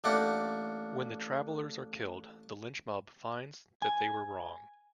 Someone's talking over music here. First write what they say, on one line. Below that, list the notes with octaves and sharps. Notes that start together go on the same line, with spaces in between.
When the travelers are killed, the lynch mob finds that they were wrong.
A1 A3 A#3 D4 F#5
G#5